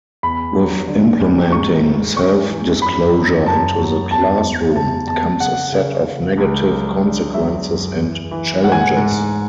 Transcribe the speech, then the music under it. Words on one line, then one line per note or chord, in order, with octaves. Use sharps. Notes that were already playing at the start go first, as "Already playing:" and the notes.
With implementing self-disclosure into the classroom, comes a set of negative consequences and challenges.
E2 B5
F#3
D3
E2
G#2 C#6
G#2
G#2 C#6
E3
F#2 B5
F#2
F#2 A5
F#3
E2 A5
E2
E2 A5
E2 A5
C#3 F#5
C#3
C#3
C#2
F#3
D3
F#3 E5
F#2
E3
E3
G#2 F#5
G#5
F#5
G#2